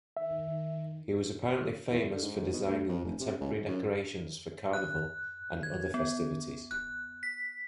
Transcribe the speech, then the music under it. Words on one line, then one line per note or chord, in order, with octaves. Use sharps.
He was apparently famous for designing the temporary decorations for Carnival and other festivities.
D#3 E5
E2
D3
G#2
B2
D2
F2
F1
C3
C#2
G#2
F#2
F#6
G#6
B3
F#6
B6